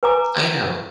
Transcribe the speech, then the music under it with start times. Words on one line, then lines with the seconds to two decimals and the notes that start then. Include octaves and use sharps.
I know.
0.03 B4 G#5 A#5 D6